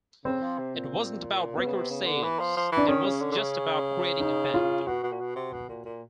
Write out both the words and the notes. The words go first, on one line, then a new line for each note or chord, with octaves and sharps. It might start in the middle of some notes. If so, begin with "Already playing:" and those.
It wasn't about record sales, it was just about creating a band.
C#3 C4
F3
C3
A#2
B2 B3
C#3
C3
C#3
D3
E3
F3
F3
E3
D4
D#3 C#4
C#3
D3
D3
C#3
D#4
F4
B2 F#4
B2
A#2
B2
C3
B2
A#2
A#2